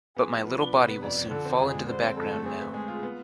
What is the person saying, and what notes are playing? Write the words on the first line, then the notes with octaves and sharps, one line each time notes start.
But my little body will soon fall into the background now.
B3 G#4
F3
F3 B4
D4
C3
B3
F2 D5
F3
D3 A4
C4
F2 G#4
G#3
D3 C5
C4
F2 A4
A3
C4 G#4
B4
G#3 G#4
F4
B3